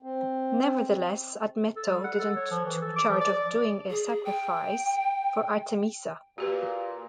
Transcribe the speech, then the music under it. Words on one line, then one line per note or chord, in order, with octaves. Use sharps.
Nevertheless, Admeto didn’t took charge of doing a sacrifice for Artemisa.
C4
A4
G3
F#5
A4
C#5
F3
E3
A4
D6
F3
D5
D5
G#4
G5
A#2 F#4 G4 B4